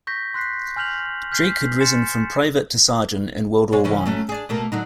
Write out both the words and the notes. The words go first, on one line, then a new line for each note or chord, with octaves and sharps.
Drake had risen from private to sergeant in World War One.
C#6 G6 A#6 B6
C6 F#6 B6 C7
G#5 F6 G6 F7 F#7
F6 G6 B6 C7
G#5 C6 A6 C#7 E7
B2 G#3 C#5
C3 E3 C#4
F#3 A3 C#4
D4 G#4
B2 A3 A#3
D3 F#3 D#4